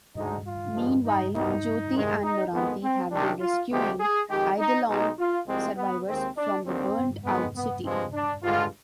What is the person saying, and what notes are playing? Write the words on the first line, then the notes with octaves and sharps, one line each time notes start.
Meanwhile, Jothee and Noranti have been rescuing Eidelon survivors from the burnt-out city.
D2 D3 G#3 D#4
F4
G2 F3 G#3
D#4
C2 B2 G3 D#4
C2 C3 D#3 G#3
D#4
F2 D#3 G#3 B3
C4
C2 C3 D#3 G3 D4
F4
D2 C3 F3 G#3 G4
G#4
F2 D#3 G#3 G4
D#4
B1 B2 G#3 D#4
F4
C2 C3 F3 G#3 C4
B3
D#2 D#3 G#3 C4
D4
D#2 D3 G3 C4
F2 D#3 G#3 B3
B3
G2 F3 G#3 C4
D4
G2 D3 G#3 F4